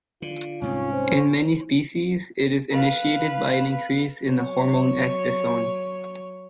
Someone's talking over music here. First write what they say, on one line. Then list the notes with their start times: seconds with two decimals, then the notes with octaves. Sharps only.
In many species it is initiated by an increase in the hormone ecdysone.
0.22 D3 F4
0.62 C2 G#2 C4 C#4
0.93 C5
2.71 B4 F5
4.28 F#3 C#5